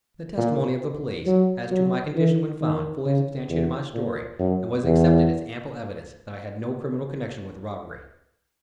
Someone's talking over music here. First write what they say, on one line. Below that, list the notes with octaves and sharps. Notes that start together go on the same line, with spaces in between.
The testimony of the police as to my condition when found fully substantiated my story and was accepted as ample evidence that I had no criminal connection with the robbery.
A#2
F#3
F#3
E3
D#3
C#3
E2
A#2
F#2
E2